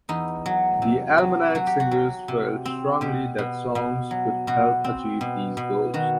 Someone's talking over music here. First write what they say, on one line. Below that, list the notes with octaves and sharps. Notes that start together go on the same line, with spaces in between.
The Almanac Singers felt strongly that songs could help achieve these goals.
E2 D#4
F#3
C3
F#3
F#3 F#4
G4
F#4
F#3
C3
C4
B2 G4
B2
B2
F#3
B2 F#4
C4
B2
B2
D#3 F#4